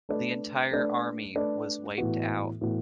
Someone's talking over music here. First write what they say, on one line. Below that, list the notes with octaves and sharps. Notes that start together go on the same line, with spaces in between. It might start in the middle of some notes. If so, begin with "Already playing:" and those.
The entire army was wiped out.
A3 D4 B4 D5
A3 D4 B4 D5
A3 D4 B4 D5
A2 E3 B3 F#4
A2 E3 B3 F#4